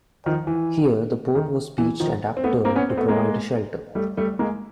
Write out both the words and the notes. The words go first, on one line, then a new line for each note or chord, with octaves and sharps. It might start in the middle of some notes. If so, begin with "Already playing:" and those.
Here the boat was beached and up-turned to provide a shelter.
D#3 F3
E3
D#3
E3
D#3 F3
C4
A3 B3
A#3 C4
B3 C#4
C4
A3 B3
G#3 A#3
G3 A3
G3 A3
G#3 A#3